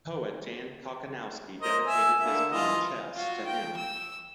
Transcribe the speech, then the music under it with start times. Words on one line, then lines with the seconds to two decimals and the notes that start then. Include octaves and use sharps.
Poet Jan Kochanowski dedicated his poem "Chess" to him.
1.61 A#4 C5 D#5
1.87 E5 G#5 E6
2.19 D3 A#3 E5
2.51 E3 F4 D#5
3.15 F4 F#4
3.45 G5
3.77 E6